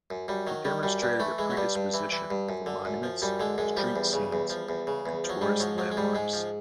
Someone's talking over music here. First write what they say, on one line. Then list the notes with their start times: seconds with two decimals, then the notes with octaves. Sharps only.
He demonstrated a predisposition for monuments, street scenes, and tourist landmarks.
0.10 F#2
0.28 F#2 G3
0.47 D#3 F#3
0.65 D#3 G3
0.83 F#2 G3
1.02 G2 G3
1.20 E3 A3
1.38 E3 G#3
1.50 F#3
1.57 G2 G3
1.76 G2
1.94 E3
2.12 E3
2.30 G2
2.49 F#2
2.66 D3
2.85 F#2
3.03 F3
3.22 F#2 G3
3.40 D3 G#3
3.58 F#2 G#3
3.77 F3 G3
3.96 E2
4.13 C#3
4.33 E2
4.50 F3
4.69 E2
4.87 C#3
5.06 E2
5.24 F3
5.29 F#3
5.41 G#2 G3
5.60 F3 F#3
5.78 F3 F#3
5.92 G#3
5.97 G#2 G3
6.15 G#2 G#3
6.33 F3